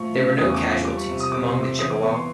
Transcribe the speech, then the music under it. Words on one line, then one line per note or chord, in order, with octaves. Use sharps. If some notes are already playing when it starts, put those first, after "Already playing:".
There were no casualties among the Chippewa.
Already playing: A2 F3 C#6
C#3
E2 D#6
C#6
D6
F3
D6
G3 D6
C#6
C3
D#6
C3 D6
C6
C3
D6
E3 D#6
D6
B3 C#6
C6